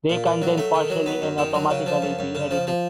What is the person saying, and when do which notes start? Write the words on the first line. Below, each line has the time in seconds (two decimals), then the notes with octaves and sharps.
They can then partially and automatically be edited.
0.10 A#2
0.26 A#2
0.42 F#3
0.58 A3
0.74 D#3
0.90 F#3
1.06 B3
1.22 F#2
1.38 D#3
1.54 F#3
1.70 C#3
1.86 F3
2.02 F#2
2.19 F#2
2.35 C#3
2.51 F3
2.67 F3